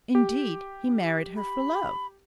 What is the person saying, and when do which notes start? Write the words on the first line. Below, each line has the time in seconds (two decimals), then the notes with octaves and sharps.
Indeed, he married her for love.
0.15 G4
1.36 B5